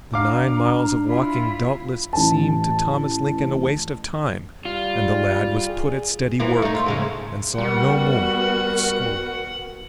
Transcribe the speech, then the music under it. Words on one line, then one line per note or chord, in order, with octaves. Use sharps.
The nine miles of walking doubtless seemed to Thomas Lincoln a waste of time, and the lad was put at steady work and saw no more of school.
D4 F5 A#5 D6
E4 F4
A1 A5
G3 F4
G#4
E3 A#3
A3 D#4
F4
F2 C#3 G#3
G3 B3 F#4 A#4 F#5